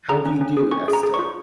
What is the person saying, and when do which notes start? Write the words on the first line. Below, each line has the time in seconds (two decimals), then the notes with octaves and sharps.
How do you do, Esther?
0.09 G#4 A#5
0.26 C#4
0.41 C#4
0.57 G#4
0.71 C#4 C#6
0.88 G#4
0.93 A#5
1.03 G#4
1.14 C#6
1.19 F4